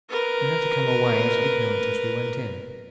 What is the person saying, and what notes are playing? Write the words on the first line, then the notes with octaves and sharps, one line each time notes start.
We had to come away as ignorant as we went in.
A#4 B4